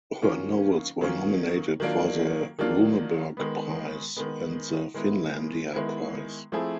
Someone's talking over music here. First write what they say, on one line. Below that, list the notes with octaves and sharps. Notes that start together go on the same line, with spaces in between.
Her novels were nominated for the Runeberg Prize and the Finlandia Prize.
D#3 F#3 A#3 C#4 F4
D#3 F#3 A#3 C#4 F4
D#3 F#3 A#3 D4 F4
D#3 F#3 A#3 D4 F4
D#3 G#3 B3
D#3 G#3 B3
D#3 G#3 B3 E4
D#3 G#3 B3 E4
F3 A3 C4 E4 G#4